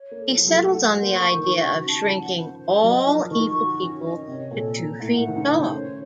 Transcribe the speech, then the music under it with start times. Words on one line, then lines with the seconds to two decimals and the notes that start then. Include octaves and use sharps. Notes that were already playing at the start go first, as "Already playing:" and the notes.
He settles on the idea of shrinking all evil people to two feet tall.
Already playing: C#5
0.11 A#3
0.18 A4
0.29 F3
0.41 A4
0.47 F#3
0.65 A3 F#5
0.89 C5
1.02 A#3
1.13 C#6
1.20 A#3
1.38 D#3 C5
1.62 C#3 F#4
1.86 C#3 A5
2.10 F3 F#5
2.34 C5
2.58 C5
2.83 F#3 D#5
3.06 F3 A#4
3.31 D#3 C#6
3.55 F#4
3.79 C#4
4.04 D#5
4.27 C3 C#5
4.51 A#2 A4
4.75 A#5
4.99 A2 F#5
5.17 A2
5.24 D#3 C5
5.35 C#3
5.48 C5
5.54 D#3
5.72 A3 C#5